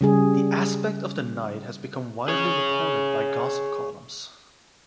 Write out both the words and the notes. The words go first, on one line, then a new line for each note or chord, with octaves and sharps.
This aspect of the night has become widely reported by gossip columns.
C#3 G3 G#4
G#4 C#5